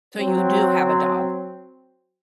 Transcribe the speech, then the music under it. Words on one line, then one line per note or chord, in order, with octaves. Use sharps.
So you do have a dog?
F#3 C4